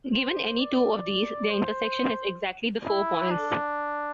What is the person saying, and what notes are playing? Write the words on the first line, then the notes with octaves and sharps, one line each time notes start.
Given any two of these, their intersection has exactly the four points.
C5
D5
C5
E4
D4